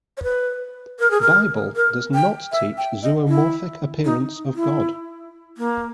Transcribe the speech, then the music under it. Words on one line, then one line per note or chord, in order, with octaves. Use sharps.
Bible does not teach zoomorphic appearance of God.
C#5
B4
A#4
G#4
A#4
A#4
G5
E5
G5
D#5
E4
D#4
E4
A#3